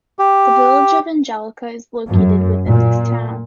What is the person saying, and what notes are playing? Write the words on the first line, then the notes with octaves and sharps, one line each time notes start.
The village of Angelica is located within this town.
G4
F#2
A#2